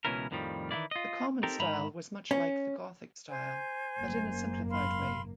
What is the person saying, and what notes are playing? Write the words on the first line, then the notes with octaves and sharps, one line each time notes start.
The common style was much like the gothic style, but in a simplified way.
C#2 B2 E3 C#4 E4 A#4
F2 A2 D#3 F3 G3
D#3 E3 F#3 G#3 E4 D5
F4 D#5
C4 D#4 G4 A4 A#4
G#2 D#3 E5 A#5 B5
C#4
C5 G#5
F#1 G#2 A#3
F5 B5 C6